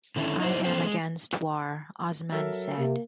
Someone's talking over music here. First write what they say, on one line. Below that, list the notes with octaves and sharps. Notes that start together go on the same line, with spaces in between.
"I am against war," Osman said.
D3 D#3 C#4 E4 A4
D#4 E4 C5
F2 B3 C#4 A4 C5 G5
G#3
F#3 A4 A#4 E5
C3 A#3